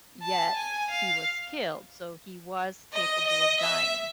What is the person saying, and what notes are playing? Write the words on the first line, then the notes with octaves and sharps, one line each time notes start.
yet he was killed, so he was capable of dying.
A5
G#5
F5
D#5
D#5
E5